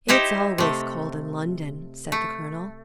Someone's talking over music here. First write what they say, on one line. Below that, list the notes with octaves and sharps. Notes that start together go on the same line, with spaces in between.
"It's always cold in London," said the colonel.
D#4 E4 G4 C5 E5
C3 A3
A3